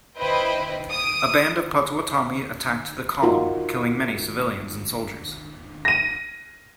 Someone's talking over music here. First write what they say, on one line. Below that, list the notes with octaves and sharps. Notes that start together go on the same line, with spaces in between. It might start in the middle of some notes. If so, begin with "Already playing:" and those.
A band of Potawatomi attacked the column, killing many civilians and soldiers.
E4 B4 C5 D#5 G5 B5
D#6 D7
D#4 F4 F#4 A#4
A#6 D#7